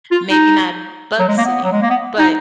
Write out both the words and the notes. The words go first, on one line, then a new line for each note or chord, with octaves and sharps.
maybe not bug sitting, but
F4
D#4
F#3
G#3
A#3
B3
F#3
G#3
A#3
B3
D#4